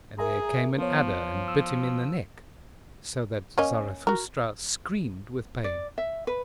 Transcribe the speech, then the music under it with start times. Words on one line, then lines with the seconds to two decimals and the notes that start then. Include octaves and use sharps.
And there came an adder and bit him in the neck, so that Zarathustra screamed with pain.
0.19 G#4 A#4 E5 A#5
0.78 F3 B3 C#5
1.48 E6
3.58 A#3 C#4 D#5
4.07 F#4 A#4
5.64 D5
5.98 E5
6.27 B4